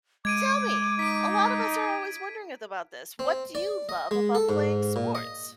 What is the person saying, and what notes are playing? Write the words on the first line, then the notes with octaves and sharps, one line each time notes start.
tell me, a lot of us are always wondering a the about this. What do you love about playing sports?
G#3 D6 G#6 D7 D#7
D#4 B6 D7
C4
D5
D#5
G#3
A4
G#2
A#2
D#5